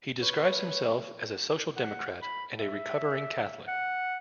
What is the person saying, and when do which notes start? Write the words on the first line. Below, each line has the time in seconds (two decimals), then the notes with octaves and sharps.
He describes himself as a social democrat and a "recovering Catholic".
0.22 B4 C#5
1.76 F#5
2.22 B5
2.59 E5
3.68 F#5